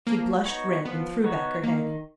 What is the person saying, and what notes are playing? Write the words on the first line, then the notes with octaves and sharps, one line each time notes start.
She blushed red and threw back her head.
F3 A#3
B3 D#4 F#4 C#5
F3 B3
B3 D#4 F#4 C#5
D#3 A#3